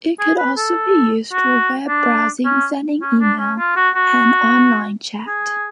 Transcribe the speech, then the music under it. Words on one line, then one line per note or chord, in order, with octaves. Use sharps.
It could also be used for web browsing, sending email, and online chat.
G#4
B4
A4
F#4
D4
C#4
C#4
D4
C#4
F4
F#4
F#4
G#4